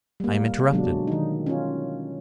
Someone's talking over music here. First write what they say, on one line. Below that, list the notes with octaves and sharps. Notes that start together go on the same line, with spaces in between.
I am interrupted.
G3 A#3
B2 D3 F#3 G#3 D4
D#3 D#4
C#4 F4